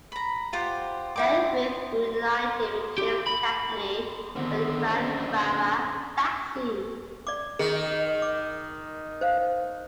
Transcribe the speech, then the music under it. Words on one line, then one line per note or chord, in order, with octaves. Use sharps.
Del Ruth reunited with James Cagney for the crime drama Taxi!
A#5 B5
F4 G4 C5 F#5
E4 G5 D6
G4
B5
D3 D#3 B3 C4
C#4
D5 D6
D#3 G#4
D6
C5 F5